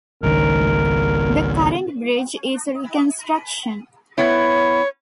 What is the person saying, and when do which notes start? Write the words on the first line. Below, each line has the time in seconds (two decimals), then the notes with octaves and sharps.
The current bridge is a reconstruction.
0.23 G#1 C#2 D#3 A#4
4.18 B3 E4 C#5